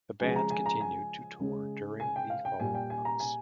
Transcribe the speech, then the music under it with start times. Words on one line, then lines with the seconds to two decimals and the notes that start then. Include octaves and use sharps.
The band continued to tour during the following months.
0.20 C#3 F3 G#3 G#5
0.36 A#5
0.51 G#5
0.66 A#5
0.81 G#5
1.40 C#3 G#3
2.00 G#5
2.16 G5
2.30 F5
2.45 G5
2.60 A#2 G3 G#5
2.75 G5
2.90 G#5
3.05 A#5
3.20 G#5